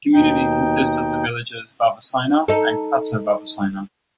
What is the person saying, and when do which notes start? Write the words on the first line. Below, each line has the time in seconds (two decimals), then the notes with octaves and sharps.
The community consists of the villages Varvasaina and Kato Varvasaina.
0.14 D#2 B2 D#4 G5
2.48 D#4 A4